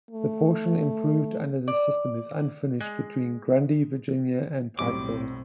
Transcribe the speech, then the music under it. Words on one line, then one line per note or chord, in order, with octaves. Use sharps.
The portion improved under this system is unfinished between Grundy, Virginia, and Pikeville.
A3
D5
G#3
B1 F#2 A2 G3 C4 D6